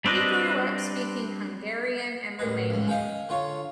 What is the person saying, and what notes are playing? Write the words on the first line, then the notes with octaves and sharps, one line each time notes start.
He grew up speaking Hungarian and Romanian.
G3 C4 D4 B4 D#5
A1 A#4 B4
C#2 G#2
D#5 F5 G5 G#5
D3 F4 C#5